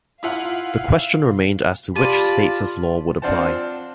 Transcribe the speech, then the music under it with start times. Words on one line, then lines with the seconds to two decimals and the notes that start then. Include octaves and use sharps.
The question remained as to which state's law would apply.
0.23 E4 F4 F5 F#5
1.96 F4 G4 D5 A5 B5 D#7
3.22 C4 D4 F4 C5 F#5 A5